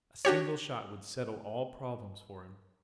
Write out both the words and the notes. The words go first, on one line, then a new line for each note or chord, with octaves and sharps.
A single shot would settle all problems for him....
D4 F#4 G4 C#5